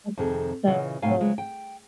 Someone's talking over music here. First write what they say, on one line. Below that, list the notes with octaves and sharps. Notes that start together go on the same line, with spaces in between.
That's so cool.
F2 C3 D#3 G#4 A4
A#2 C#3 E3 D#5
A2 C3 A3 D#4 F5 G#5
C#3 F#3 G#3
G5